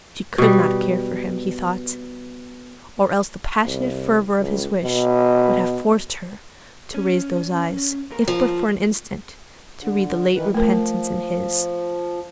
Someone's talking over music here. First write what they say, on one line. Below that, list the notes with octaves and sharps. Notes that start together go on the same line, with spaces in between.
She could not care for him, he thought, or else the passionate fervour of his wish would have forced her to raise those eyes, if but for an instant, to read the late repentance in his.
B2 G3
C2
C#2
B2
C#4
D#2 A#4
F3
D3
D#3 E3 B4
F3 A3 A#4